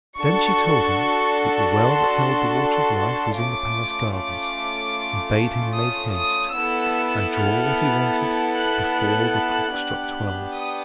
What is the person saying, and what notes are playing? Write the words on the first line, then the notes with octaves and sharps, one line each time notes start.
Then she told him that the well that held the Water of Life was in the palace gardens; and bade him make haste, and draw what he wanted before the clock struck twelve.
D4 F#4 A4 C#6
C6
C6
A3 C#4 F4 D6
D6
D#6
D#6
B3 E4 A4 E6
F6
F#6
F#6
B3 D4 G4
D#6